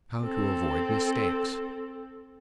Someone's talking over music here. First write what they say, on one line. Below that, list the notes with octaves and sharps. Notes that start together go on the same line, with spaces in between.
How to Avoid Mistakes.
C4 A4